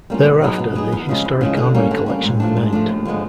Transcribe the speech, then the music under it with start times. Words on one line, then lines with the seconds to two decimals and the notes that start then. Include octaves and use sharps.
Thereafter the historic armoury collection remained.
0.10 G3 A#3 C#4 F4
0.25 B2
0.42 F#3 B3 D#4 G#4
0.59 B2
0.75 F#3 B3 D#4 G#4
0.92 E2
1.09 C#3 F3 G#3
1.25 E2
1.41 C#3 F3 G#3
1.57 D3
1.75 G3 A#3 C#4
1.91 D3
2.06 G3 A#3 C#4
2.23 G#2
2.40 F3 A3 D4
2.57 G#2
2.72 F3 A3 D4
2.89 D#2
3.05 D3 F3 G#3 B3